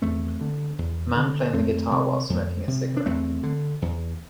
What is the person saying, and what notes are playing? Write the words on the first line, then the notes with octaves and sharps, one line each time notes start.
A man playing the guitar while smoking a cigarette.
E2 A3 C4
D3
E2
D3
F2 A3 C4
C3
F2
C3
D4
E2 A3 C4
D3
E2